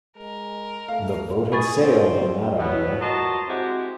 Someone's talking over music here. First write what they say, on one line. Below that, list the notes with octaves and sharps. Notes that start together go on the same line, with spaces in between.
The boat had sailed on that idea.
G#3 A#4
A3 F5
G#4 B5 C#6 A6
F3 C4
B2 F#3 B3
A#2 F#4 D#5 A5 A#5 C6
G#3 C4 E4 F#4 G4